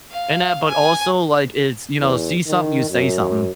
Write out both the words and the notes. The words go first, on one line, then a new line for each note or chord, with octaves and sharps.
in that, but also, like, it's, you know see something, you say something.
F5
G#5
E2
D#3
F#2